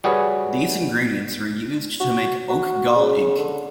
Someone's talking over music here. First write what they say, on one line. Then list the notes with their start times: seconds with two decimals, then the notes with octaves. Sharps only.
These ingredients were used to make oak gall ink.
0.04 G3 F#4 G#4 B4 C#5
2.00 F#4
2.49 F#4
2.96 C#3
3.38 D3